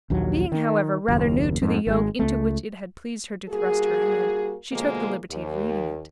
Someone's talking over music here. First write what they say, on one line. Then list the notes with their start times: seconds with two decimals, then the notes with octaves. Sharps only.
Being, however, rather new to the yoke into which it had pleased her to thrust her head, she took the liberty of reading it.
0.10 A#1 D#2 F#3
0.52 D#3
1.08 F#1 D#2
1.62 F2 G#2
1.87 G#1 G#3
2.19 C#2 A3
3.49 G3 A#3 F#4 G#4
4.72 B2 D3 F3 G#3 A#3
5.30 D#2